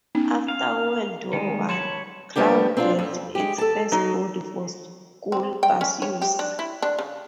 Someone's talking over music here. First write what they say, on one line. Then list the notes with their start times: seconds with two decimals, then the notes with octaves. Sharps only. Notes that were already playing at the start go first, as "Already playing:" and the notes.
After World War One, Crown built its first body for school bus use.
0.15 B3 C#4 D#4
0.48 F5
1.33 D#3 G#3
1.69 C#5 A5 B5 C6
2.36 F3 G3 B3 D4 G4
2.77 C4 D4 F4
2.99 F2
3.35 G#3 G4
3.58 A4 A5
3.92 F#3 D#4
5.32 C4
5.63 G5
5.81 C#4
6.02 C#5
6.22 G4
6.39 D4
6.59 E4
6.82 D4
6.99 C#3